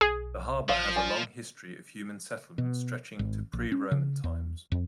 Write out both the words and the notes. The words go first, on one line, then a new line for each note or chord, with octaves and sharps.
The harbour has a long history of human settlement stretching to pre-Roman times.
B1 G#4
A1 F3 F5
D5 G#5
B2
G#1
A#1
C#4
C#3
E2
F2